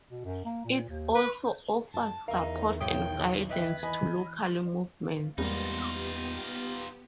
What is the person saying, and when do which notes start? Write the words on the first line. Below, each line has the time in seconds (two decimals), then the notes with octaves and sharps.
It also offers support and guidance to local movements.
0.10 B2
0.25 F#2
0.45 A#3
0.65 A#2
0.89 D#2
1.15 B4
1.94 F#2 A5
2.28 E2 D#3 D#4 A#4 E5 F5
2.81 B1 C#5 G5 D#6
3.50 B4 D#5 E5 G5
3.83 E3 D#5 G#5 B5
5.38 E2 G#2 G3 A#3 B3 D#4 F4 G4